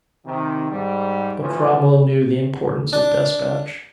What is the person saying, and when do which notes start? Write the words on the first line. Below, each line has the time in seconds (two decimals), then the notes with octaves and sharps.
But Cromwell knew the importance of despatch.
0.25 C3 D#3
0.70 G#2 G3
1.40 A1 E3 F3 C#4
2.93 D4